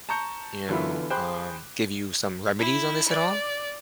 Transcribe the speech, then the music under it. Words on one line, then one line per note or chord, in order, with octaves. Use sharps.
you know, um, give you some remedies on this at all?
A5 A#5 C#6 G6 C#7
D3 E3 B3 F4 E5 B5
G#4 C5 G5 B5 D6 F#6
E4
D5